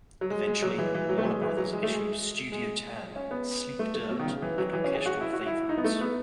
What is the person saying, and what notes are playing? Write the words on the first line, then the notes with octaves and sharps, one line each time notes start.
Eventually, Warner Brothers issued "Studio Tan", "Sleep Dirt" and "Orchestral Favorites".
F#3
G#3
G#3
F#3
E3
E3
F#3
A3
G#3
E3
F#3
G#3
A3
G#3
G#3
C#4
B3
A3
A3
B2
D#3
C#3
E3
F#3
E3
C#4
G#4
F#4
E4
F#4
E4
D#4
B3
A3
B3